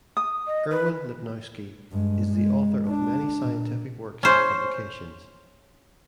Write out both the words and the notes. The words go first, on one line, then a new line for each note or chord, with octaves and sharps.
Irwin Lipnowski is the author of many scientific works and publications.
D#6
D#5
B4
G2 G#3
G#3
D4
A#2
C#4 C5